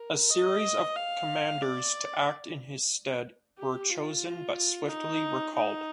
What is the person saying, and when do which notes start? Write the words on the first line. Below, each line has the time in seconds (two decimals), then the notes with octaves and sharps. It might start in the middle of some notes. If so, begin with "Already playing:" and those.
A series of commanders to act in his stead were chosen but swiftly recalled.
Already playing: A#4
0.30 D#5
0.96 F5
1.61 D5
3.58 G4
3.90 F4
4.89 D#4
5.55 D#4